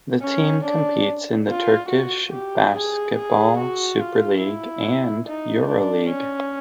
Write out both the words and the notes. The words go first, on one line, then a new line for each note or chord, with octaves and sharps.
The team competes in the Turkish Basketball Super League and EuroLeague.
C#4
D4
F4
F#4
G4
G#4
G#4
F#4
F4
E4
D#4
D4
C#4